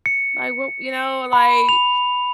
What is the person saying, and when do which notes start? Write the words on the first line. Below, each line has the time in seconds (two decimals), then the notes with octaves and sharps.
like, what" you know? Like,
0.06 C#7
1.33 B5
1.69 F7